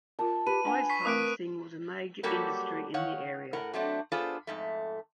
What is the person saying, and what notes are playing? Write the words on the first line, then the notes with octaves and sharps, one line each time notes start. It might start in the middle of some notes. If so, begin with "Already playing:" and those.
Ice harvesting was a major industry in the area.
F4 A#4 A5
G4 B4 D#7
D4 F#5 G#5
C#6 B6 C7
A3 C4 A#4 D6 D#6 F#6 D7
D#7
F#3 G3 A#3 F#4 G4 A4
D#3 C#5 F5 F#5
A2 A#4 F#5
F#3 A3 C4 D4
B3 D4 F4 G#4 A4 C5
F2 G#2 A3